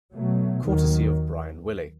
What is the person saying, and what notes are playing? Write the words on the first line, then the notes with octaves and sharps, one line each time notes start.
Courtesy of Bryan Willy.
B2 F#3 A3
D#2 D#3 F#3